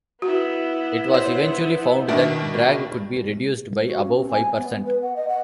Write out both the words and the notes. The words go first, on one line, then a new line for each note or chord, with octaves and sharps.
It was eventually found that drag could be reduced by about five percent.
B3 E4 F#4
C5 C#5
B2 D#3 D4 E5
F#4
C#4
C4
G#5
B3
B4
F#5
D#5
F#5